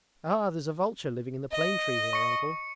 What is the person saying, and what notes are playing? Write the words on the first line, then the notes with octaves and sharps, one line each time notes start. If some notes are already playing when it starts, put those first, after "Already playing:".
'Ah, there's a vulture living in the plane tree here, Uncle.
D#5
C#6 C#7